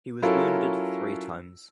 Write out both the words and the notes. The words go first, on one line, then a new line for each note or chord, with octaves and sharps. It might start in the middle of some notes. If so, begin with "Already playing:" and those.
He was wounded three times.
F#3 C#4 E4 F4 A4 A#4